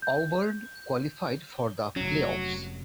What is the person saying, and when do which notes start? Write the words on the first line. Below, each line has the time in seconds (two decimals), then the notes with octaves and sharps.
Auburn qualified for the playoffs.
0.02 G6
1.96 F1 F#3 C#4